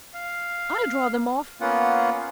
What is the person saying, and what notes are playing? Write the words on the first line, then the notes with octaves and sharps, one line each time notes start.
I'll draw them off!
F5
A#3 B3 C#4 F4 F#5